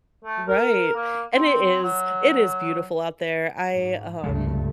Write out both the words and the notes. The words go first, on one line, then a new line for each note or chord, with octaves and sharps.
Right, and it is it is beautiful out there. I, um
A3
A#4
A#3
C4
F#3
G#2
C#2 G2 C3 G#3 A3